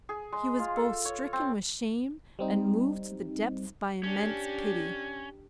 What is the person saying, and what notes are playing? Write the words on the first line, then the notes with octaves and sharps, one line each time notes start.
He was both stricken with shame and moved to the depths by immense pity.
G#4
G#3
F4
A4
C#5
C4
G3 C4 D#4
C#4 D4 G4